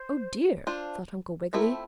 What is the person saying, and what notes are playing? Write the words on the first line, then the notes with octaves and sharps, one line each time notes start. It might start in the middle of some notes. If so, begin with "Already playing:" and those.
"Oh, dear!" thought Uncle Wiggily.
Already playing: C5
D4 F4 C5
F3 A3 C4 E4 A#4